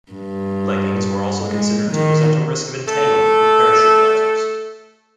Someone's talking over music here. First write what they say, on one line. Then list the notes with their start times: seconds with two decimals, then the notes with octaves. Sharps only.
Leggings were also considered to present a risk of entanglement with parachute risers.
0.12 G2
1.46 G#3
1.92 D#3
2.87 A3 A4